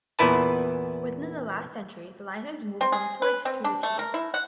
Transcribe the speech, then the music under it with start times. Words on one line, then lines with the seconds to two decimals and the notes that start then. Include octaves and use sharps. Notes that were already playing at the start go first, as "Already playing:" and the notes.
Within the last century the line has moved northwards to the Tees.
0.19 E2 A#2 B3 E4 B4 A5
2.81 C4
2.92 G#4
3.22 B4
3.45 C4
3.64 D4
3.83 A3
3.99 A#4
4.14 E4
4.34 F#5